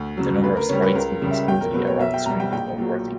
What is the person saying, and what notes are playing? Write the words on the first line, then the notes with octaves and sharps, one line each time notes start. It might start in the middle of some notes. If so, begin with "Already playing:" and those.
The number of sprites moving smoothly around the screen is noteworthy.
Already playing: D2
C#3 F#3
D2 B4
A#4
C#3 G3 C#5
B4
C#2 A#4
C#3 G3
E5
B1 G5
A#4
B2 F#3 B4
C#5
B1 E5
G5
B2 G3 A#5
G5
A#1 G5
A#2 F#3